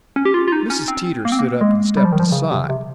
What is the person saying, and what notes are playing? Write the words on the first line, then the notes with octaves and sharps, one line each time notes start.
Mrs. Teeter stood up and stepped aside.
C#4
G4
F4
F4
D#4
C#4
C4
A#3
C4
A#3
G#3
G3
F3
D#3
F3
C#3
C3
C3